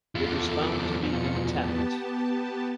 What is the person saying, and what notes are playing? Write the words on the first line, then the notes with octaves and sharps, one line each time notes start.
It was found to be intact.
E2 F3 A4 D6
B2 F4 C#7
B3 G4 A5